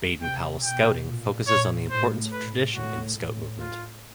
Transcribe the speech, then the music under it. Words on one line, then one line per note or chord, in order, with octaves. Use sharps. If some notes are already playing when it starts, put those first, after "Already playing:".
Baden-Powell Scouting focuses on the importance of tradition in the Scout Movement.
C3 G5
B2 G5
A#2
A#2 C#5
A2 C5
B4
A2 F#4
A2
F4